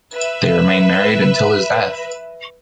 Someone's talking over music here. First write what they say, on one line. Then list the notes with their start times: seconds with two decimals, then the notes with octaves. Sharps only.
They remained married until his death.
0.13 B4 E5